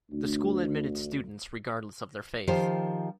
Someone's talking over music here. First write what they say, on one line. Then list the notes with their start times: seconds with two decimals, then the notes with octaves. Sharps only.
The school admitted students regardless of their faith.
0.11 D2
2.47 D#3 F3 G4 C5